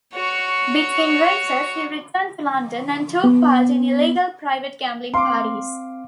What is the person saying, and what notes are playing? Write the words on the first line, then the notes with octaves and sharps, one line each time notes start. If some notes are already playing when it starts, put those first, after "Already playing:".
Between races, he returned to London, and took part in illegal private gambling parties.
F#4 C#5
B3
C4 F5 C6 D6